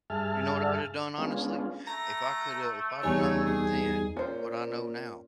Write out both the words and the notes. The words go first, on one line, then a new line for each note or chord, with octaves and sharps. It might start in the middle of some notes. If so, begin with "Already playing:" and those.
You know what I would've done, honestly? If I coulda if I'd have known then what I know now,
G2 G#4 E5 A5 F6
G#3 B3 C#4 D4 F4
A3 A#5
E2 G3 D#4 C#5 G#5
G#4
A#2 C#4 C5